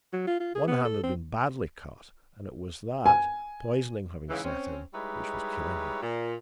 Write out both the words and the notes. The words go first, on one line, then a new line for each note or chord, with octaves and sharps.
One hand had been badly cut, and it was that, poisoning having set in, which was killing her.
F#3
F4
F4
G#4
B3
A4
C4
G#5
G#2 C#3 E3
C4 C#4
G3 G#3 D#4 E4 B4 C#5
A#2